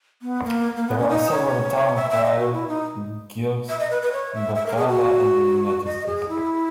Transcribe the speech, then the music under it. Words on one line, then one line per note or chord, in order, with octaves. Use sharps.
There are several town crier guilds in both Canada and the United States.
B3
A#3
A#3
B3
C#4
D#4
C#5
E5
E5
D#5
F#4
E4
D#4
E5
D#5
B4
B4
C#5
E5
E5
A#4
G#4
F#4
D#5
G#4
E4